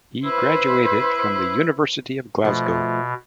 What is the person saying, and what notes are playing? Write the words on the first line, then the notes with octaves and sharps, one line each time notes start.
He graduated from the University of Glasgow.
E4 B4 C5
B2 F3 A3